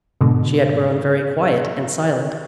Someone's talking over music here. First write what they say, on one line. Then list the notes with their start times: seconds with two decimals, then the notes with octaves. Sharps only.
She had grown very quiet and silent.
0.21 G#2 B2 D3